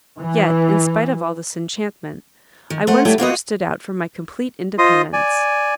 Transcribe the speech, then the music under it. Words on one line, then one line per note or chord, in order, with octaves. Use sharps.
Yet, in spite of all this enchantment, I once more stood out for my complete independence.
E3
D#3
A3 C5 F#5
G3 A3 E4 C#5 G5
A#3 F4 F#4 D#5
F4 C5 D#5 C6 D#6
D5 G#5